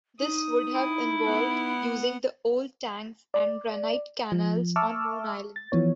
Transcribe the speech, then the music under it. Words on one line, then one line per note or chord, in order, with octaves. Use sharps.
This would have involved using the old tanks and granite canals on Moon Island.
D#4 D#6
E4
B3 F#5
D5
F3
E5 A5 C#6 D6 E6 F6
A6
E3 F3 B3 C#5